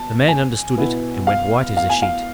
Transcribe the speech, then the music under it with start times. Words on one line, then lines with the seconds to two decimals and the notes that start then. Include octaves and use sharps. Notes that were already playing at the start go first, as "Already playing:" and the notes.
The man understood it and went white as a sheet.
Already playing: B2 A5
0.28 G#5
0.77 B2 B3 E4
1.27 F5
1.77 F5
1.90 G#5
2.02 F5